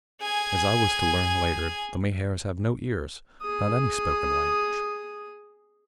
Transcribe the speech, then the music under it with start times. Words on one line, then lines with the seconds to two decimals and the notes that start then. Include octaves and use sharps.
As I was to learn later, the Mahars have no ears, not any spoken language.
0.21 G#4 G#5
3.42 G#4 D#6